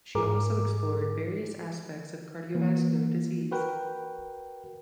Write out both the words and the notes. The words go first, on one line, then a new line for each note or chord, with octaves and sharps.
She also explored various aspects of cardiovascular disease.
G#2 G#4 A#4 D6
E3 A#3
F#4 A#4 B4 G5